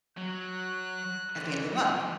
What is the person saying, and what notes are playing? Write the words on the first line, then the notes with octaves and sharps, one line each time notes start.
at the end of the month,
F#3 F#6
F2 E3